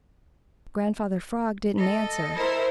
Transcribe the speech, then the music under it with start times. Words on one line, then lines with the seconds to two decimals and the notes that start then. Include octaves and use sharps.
Grandfather Frog didn't answer.
1.78 A4 D#5
2.35 E4 A#4 C5